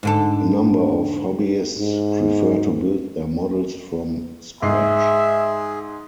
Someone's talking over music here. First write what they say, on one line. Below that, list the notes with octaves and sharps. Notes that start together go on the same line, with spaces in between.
A number of hobbyists prefer to build their models from scratch.
G#2 D3 A4
G#2
G#2 G#4 E5 C7